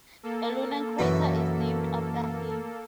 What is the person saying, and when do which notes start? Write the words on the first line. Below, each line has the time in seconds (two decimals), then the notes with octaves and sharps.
A lunar crater is named after him.
0.23 A#3 A4
0.99 F#2 B2 E3